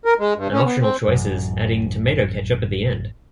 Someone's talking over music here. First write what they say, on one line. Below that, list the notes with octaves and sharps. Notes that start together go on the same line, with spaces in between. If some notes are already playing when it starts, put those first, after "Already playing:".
An optional choice is adding tomato ketchup at the end.
A#4
G#3
G2
C#4
B3
C4
A1 F#2